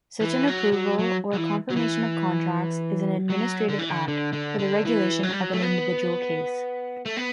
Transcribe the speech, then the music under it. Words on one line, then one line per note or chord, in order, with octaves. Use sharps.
Such an approval or confirmation of contracts is an administrative act for the regulation of an individual case.
E3
F#3
F#3
F#3
F#3
E3
F#3
E3
F#3
D3
E3
D3
D3
D3
D3
E3
F#3
G3
F#3
A3
B3
A3
B3